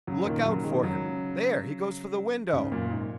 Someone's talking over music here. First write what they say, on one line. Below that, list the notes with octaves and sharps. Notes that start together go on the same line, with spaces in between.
"Look out for him--there he goes for the window."
C#3 F#3
A#2 D#3
C#3 F#3
D#3 G#3
C#3 F#3
G#2 C#3
F#2 A#2
G#2